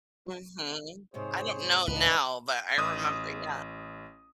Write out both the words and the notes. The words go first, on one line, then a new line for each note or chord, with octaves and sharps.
Mhm. I don't know now, but I remember, yeah.
F2 G#2 C3 G#4 C5 C#5
C#2 A2 D#3 D4 D#4 B4
A1 D#6